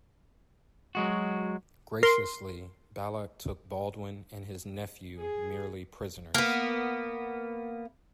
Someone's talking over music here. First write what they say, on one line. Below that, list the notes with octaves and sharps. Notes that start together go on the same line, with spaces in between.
Graciously, Balac took Baldwin and his nephew merely prisoners.
F#3 G#3 F#4
A#4 C6
G#4
A#3 B3